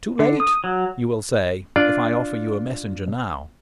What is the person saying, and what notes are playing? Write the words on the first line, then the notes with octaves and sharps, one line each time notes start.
"Too late," you will say if I offer you a Messenger now.
D3
D#6
F#3
D4 F4 D5